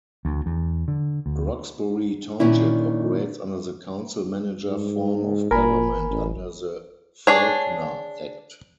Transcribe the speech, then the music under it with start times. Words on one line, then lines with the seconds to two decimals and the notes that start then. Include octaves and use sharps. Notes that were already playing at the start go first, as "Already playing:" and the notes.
Roxbury Township operates under the Council-Manager form of Government under the Faulkner Act.
0.25 D2
0.46 E2
0.88 D3
1.26 D2
2.40 A#2 D#3 C#4 D4 E4
4.67 G#2
5.51 G1 A#2 A#4 G#5 B5
6.10 A1
7.27 D4 G#4 C#5